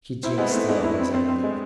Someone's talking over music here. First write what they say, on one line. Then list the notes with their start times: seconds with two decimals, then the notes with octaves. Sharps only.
She drinks tea always, I believe.
0.23 C4 E4
0.38 G#3 B3
0.51 A3 C4 E4
0.68 G#3 B3 D4
0.84 E4
0.99 C4
1.14 C4
1.28 C4
1.44 G#3